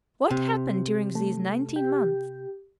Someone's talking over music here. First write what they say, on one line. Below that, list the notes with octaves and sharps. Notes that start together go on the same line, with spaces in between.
What happened during these nineteen months?
C3
A3
G4